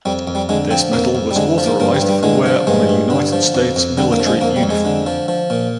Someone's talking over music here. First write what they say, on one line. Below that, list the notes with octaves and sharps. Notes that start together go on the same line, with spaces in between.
This medal was authorized for wear on a United States military uniform.
F2 G3
F2
G3
D3 G#3
F3 C4
F2 A#3
F2
G3
D3 G#3
F3
A#3
G2 A#3
G3
G2
G3
D3 G#3
F3
G2 G#3
G2
D3
F3
F2
F2
D3 G3
A#3
F3
G#3
F2 A#3
G3
F2
G#3
D3
F3
F3
A#2